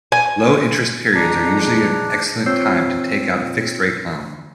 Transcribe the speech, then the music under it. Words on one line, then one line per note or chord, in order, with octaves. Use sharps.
Low-interest periods are usually an excellent time to take out a fixed rate loan.
G#5
F2 G#3 D4 G#4 A#5
C4 F4 C#5 E6 G6 C7